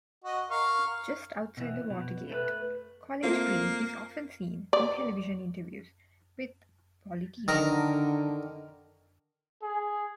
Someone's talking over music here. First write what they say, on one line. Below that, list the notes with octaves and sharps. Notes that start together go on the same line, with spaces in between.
Just outside the watergate, College Green is often seen in television interviews with politicians.
F#4 D#5
A#4 F5 C#6
B2 E3
B2
A3 A4 B4
A3 A#3 C4 F4
D5
D3 D#3 A#4
G#4